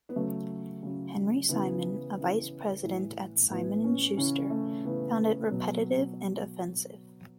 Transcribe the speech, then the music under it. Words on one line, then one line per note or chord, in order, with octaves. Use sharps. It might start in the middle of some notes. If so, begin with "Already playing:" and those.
Henry Simon, a vice-president at Simon and Schuster, found it repetitive and offensive.
B3
C#3 F#3 A3
C#3 F#3
C#3 E3 B3
C#3 E3
A2 E3
A2 E3 B3
C#4
C#3 E3 C#4
A3
C#3 E3 B3
B2 F#3